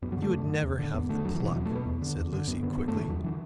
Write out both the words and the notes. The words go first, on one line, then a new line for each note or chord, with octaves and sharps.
"You would never have the pluck," said Lucy, quickly.
F#2 B3
F#3
D3
A3
F#2
D3
E2
D3
E2 B3
D3 A3
E2 F#3
E3
B2
E3
E2 F#3
A3
B2 B3
E2
D3
E2
D3
F#2 B3
D3 B3
F#2 B3
A3
D3
E3
E2 F#3
D3 E3